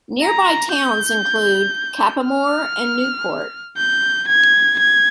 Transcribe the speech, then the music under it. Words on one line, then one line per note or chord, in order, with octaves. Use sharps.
Nearby towns include Cappamore and Newport.
A#5
G6
F6
G6
G#6
G#6